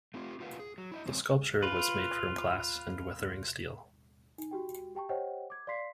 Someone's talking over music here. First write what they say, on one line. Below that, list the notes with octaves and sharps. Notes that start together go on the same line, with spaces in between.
The sculpture was made from glass and weathering steel.
A3 C4 F4 G4
F4 G4 A#4 B4 F5 F#5
G#4
F#3
E4 D5 D#5
F2 C#3 G#3 C4 C#5
F4 B4
D#4
F#4 G4 G5
G4 G5 A5 C#6
G4 C5 C#5 D#5 F#5 G5
D6 G#6
D5 F5 C6 B6 C7